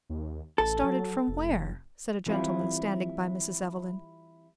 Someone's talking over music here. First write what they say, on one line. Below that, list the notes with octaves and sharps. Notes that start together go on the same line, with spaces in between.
"Started from where?" said a gentleman standing by Mrs. Evelyn.
D#2
A1 A4
F#3
F1
E3 G3 C4 E4 F4